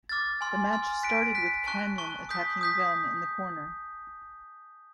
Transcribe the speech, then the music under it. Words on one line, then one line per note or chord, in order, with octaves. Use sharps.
The match started with Kanyon attacking Gunn in the corner.
D6 F6 A6
G#5 C6 F6
G#5 C6 F6
F#6 B6 D7
F#6 B6 D7
A5 C#6 F#6
A5 C#6 F#6
D#6 G6 B6
D#6 G6 B6